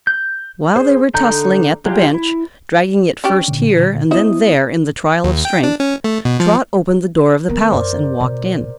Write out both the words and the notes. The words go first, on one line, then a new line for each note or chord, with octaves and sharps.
While they were tussling at the bench, dragging it first here and then there in the trial of strength, Trot opened the door of the palace and walked in.
G6
G#4 C5
D3 D#4 A4 A#5 G6
F#3 G#3 F4 G4
E4
C#4 D4 G4
A#2 D3
B3 D#4 E4 C5 E5 D#6
D#2
G5
D4
C#4
A3
B2
F3
D#3 B3 A#4
F#2 C5 D5
B2